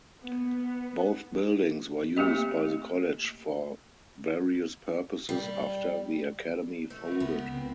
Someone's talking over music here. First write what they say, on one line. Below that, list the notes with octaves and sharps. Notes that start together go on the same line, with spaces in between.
Both buildings were used by the college for various purposes after the Academy folded.
B3
A3 A#3 C4 G4 D#5
G3
A3
A#4 B4
C#2 B3
C4